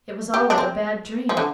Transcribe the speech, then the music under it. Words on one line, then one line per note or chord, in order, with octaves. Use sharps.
It was all like a bad dream.
G4
D4
C4
F3
D3